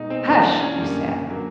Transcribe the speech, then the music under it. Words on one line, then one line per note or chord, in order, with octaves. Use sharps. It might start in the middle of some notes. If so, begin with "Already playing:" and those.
"Hush!" he said.
Already playing: B2 G#3 D#4
C4
G2 E3 G3 A#3 C4
D4
C#4
F#2 D3 G3 A#3
D3 F#3 A#3